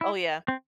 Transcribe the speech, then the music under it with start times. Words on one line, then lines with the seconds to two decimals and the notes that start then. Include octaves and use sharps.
Oh, yeah.
0.01 E4
0.48 C4